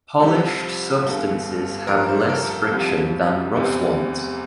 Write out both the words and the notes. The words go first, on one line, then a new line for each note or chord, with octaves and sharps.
Polished substances have less friction than rough ones.
C2 C3 F3 A4
G1 G2 D3
A1 G2 F3 A#4
C5
A4
A#4
A4
C2 C3 F3
F1 E2 C3